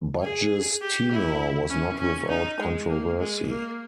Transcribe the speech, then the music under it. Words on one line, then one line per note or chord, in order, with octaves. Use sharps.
Budge's tenure was not without controversy.
G#4
G4
E4
C#4
C#4
D#4
G#3
A#3
G#3
A#3